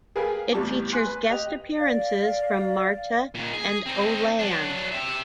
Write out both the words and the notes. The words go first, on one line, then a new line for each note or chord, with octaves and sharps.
It features guest appearances from Marta and Oh Land.
G#4 A#4 B4 F5 G5 G#5
E2 A2 G3 A5 D6
G#5 C6 F#6
B4
G4 D#5 F7
D5 F5
A#2 D#3
G#4
C4 D#4
F#3 D4
G4 E5